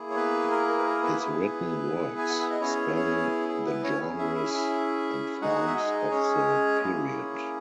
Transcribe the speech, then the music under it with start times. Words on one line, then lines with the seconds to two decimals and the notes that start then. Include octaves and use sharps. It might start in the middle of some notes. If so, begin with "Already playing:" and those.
His written works span the genres and forms of the period.
Already playing: A#3 E4 G#4
0.10 C#5
0.15 B3 B4
0.51 A#4
0.68 A#4
0.78 B4
0.85 A#4
1.03 B3 B4
1.21 B3 E4 G#4
2.18 G#5
2.29 F#5
2.40 E5
2.50 D#5
2.61 B3 C#4 E4 G#4 C#5
2.96 C#4 C#5
3.49 G#4
3.66 B3 B4
3.83 C#4 C#5
4.01 C#4 G#4
4.19 E4 E5
4.36 E4 E5
4.54 E4 E5
5.41 G#3 D#4 F#4 G#4 F#5
5.67 E5
5.76 D#4 D#5
6.11 C#4 C#5
6.81 A#3 C#4 E4 G#4